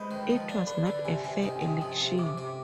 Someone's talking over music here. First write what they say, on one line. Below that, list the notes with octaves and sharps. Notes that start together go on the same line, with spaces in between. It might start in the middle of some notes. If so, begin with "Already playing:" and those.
It was not a fair election.
Already playing: G#3 B4 C5
D#3
F3
D4
D4 B4
D3
C3 G#5
C3
D#3 G5
G#5
C3
D#6
F3
C3
C3 D6
C3